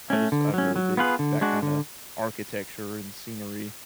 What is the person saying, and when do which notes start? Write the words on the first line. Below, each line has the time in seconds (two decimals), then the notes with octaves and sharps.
I just I really dig that kinda architecture and scenery,
0.10 A3 C#4
0.32 D3
0.54 F#3 C#4
0.76 F#3
0.97 B3 F4 G#4 B4
1.19 D3
1.41 G#3 D4 F#4
1.62 D3